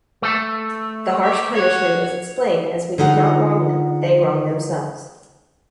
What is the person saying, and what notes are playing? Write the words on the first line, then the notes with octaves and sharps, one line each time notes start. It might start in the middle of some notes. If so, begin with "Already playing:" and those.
The harsh punishment is explained as We did not wrong them; they wronged themselves.
A3 A4
G4 E5
F#4 C#5
D3 G#3 D#4 F4 F#5